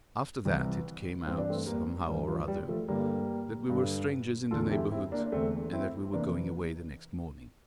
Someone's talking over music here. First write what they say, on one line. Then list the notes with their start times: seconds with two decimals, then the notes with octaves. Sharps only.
After that it came out, somehow or other, that we were strangers in the neighbourhood, and that we were going away the next morning.
0.45 C2 C3 E3
1.26 G2 E3 C4
1.38 D4
1.50 A3 C4
1.67 G3 A#3
2.07 G2 E3 G3
2.28 F3
2.48 G3
2.68 F3 A3
2.88 G2 D3 G3 A#3
3.70 G2 D3
4.51 E2 D3 F4 A4
4.71 E4 G4
4.91 C4 E4
5.12 A#3 D4
5.26 D4
5.32 E2 D3 A3 C4
5.72 C4 E4
6.13 C3 E3 A#3 D4